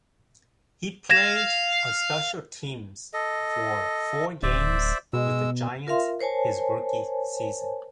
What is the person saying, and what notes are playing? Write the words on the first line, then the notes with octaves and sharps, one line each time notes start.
He played on special teams for four games with the Giants his rookie season.
F5 G#6 A#6 E7
A4 D#5
D1 C5 D5 E5
B2 G#3 E6
F4 A#4 E5 F5 C6
A#4 C5 C#5 G#5 A5